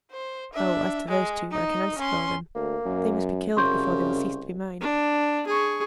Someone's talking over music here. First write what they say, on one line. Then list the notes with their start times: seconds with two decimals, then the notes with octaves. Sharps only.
"Oh, as to those two, I can answer for them; they must be killed before they will cease to be mine."
0.11 C5
0.53 D4 E5
1.08 G#3
1.52 D#4 D#5
1.99 C#4 C6
2.55 D2 A#3
2.86 F#2
3.57 C2 F#2 C#3 C6 C#6 G6
4.81 D4
5.47 G#4 C#6